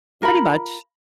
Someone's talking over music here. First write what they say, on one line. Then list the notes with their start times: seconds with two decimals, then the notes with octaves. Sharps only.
Pretty much.
0.22 F4 A#4 F#5 B5